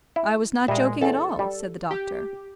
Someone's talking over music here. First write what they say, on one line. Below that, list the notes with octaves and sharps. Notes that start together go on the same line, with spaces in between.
"I was not joking at all," said the doctor.
E4
A#2 G3 G#3 E5
E2 A4
G3
G4